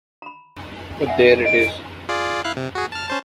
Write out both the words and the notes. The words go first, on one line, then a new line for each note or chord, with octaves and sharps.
But there it is.
A#5 B5
E5 F#5 G#5
D#5 D7
F4 G#4 D5
E4 F5 F#6
C3
F#4 G#4
A5 F6
C#4 C5 A5